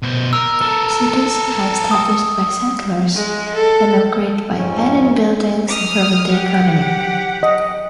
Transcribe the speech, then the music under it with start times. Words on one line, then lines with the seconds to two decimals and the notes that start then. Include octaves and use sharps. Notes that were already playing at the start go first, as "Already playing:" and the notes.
Cities are established by settlers, then upgraded by adding buildings improving the economy.
0.03 B2 C5
0.33 A#4 E6
0.61 A4 A#4
1.91 D#6
3.15 G#3
3.55 A4
4.58 F2 G#2 C#4
5.68 D#6 F6
6.32 F#3 G4 F#5
7.43 D#5